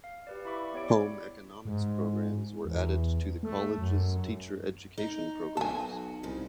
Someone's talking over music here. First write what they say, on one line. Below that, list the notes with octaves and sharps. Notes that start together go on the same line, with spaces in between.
Home economics programs were added to the college's teacher education programs.
F5
G4 B4 D5
E4 D5 E5 B5 C#6 D6
B3 G4 C#5 D5 D7
G#2
E2
A3
F#2
D#4
B1 F#4 G#5 A5
C2 G#2 C#3